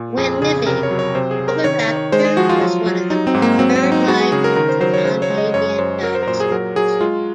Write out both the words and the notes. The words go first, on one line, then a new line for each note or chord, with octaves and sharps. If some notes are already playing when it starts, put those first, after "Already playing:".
When living, "Oviraptor" was one of the most bird-like of the non-avian dinosaurs.
Already playing: A#2
F2 G#4
C#3 G#4
C3 A#4
C#5
F#3
C#5
C3 C5
G#4
C3
A#4
D#3 C#5
C#5
D#3
C#5
G#3 C5
G#4
F3 F#4
F4
F#3
F#3
F#3 D#4
C4
G#2
A#3
F#3 C4
C4
F#3
D#4
G#3 F#4
G#4
C#3 G#4
A#4
D#3 A#4
C5
F#3 C5
C#5
C#3 C5
C#5
G#3
D#5
F#2 C#5
F#2 C5
F#3 A#4
C5
A#4
A#2 C5
G#4
F#3 A#4
F#3 G#4
G#3 F4